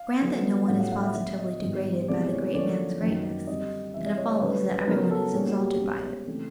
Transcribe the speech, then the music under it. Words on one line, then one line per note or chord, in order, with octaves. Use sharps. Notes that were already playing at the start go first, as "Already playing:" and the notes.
Grant that no one is positively degraded by the great man's greatness and it follows that everyone is exalted by it.
Already playing: F5
D3 F#3 B3
A2 F#3 A3 C#4 F#5
F#5
F#5
E5
D3 F#3 B3 E5
D#5
G#2 D#3 G3 B3
C3 E3 G#3 B3 D5
C#5
D3 F3 A#3 C#4 D5
F#2 D#3 F#3 A#3
D3 G3 C4 D#5
C3 E3 G3 E5
D#5
C#5
C#5
D3 F#3 A3 C#4 B4
B4
C#3 F#3 B3 A#4
A4
A#2 G3 A#3 C#4 G#4
F#4
G4
B2 G#3 C#4
C#3 E3 A3 C4